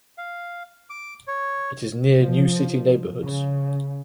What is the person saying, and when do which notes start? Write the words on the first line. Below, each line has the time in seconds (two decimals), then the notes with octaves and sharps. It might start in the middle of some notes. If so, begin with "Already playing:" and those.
It is near new city neighborhoods.
0.18 F5
0.90 D6
1.28 C#5
2.21 F3
3.22 C#3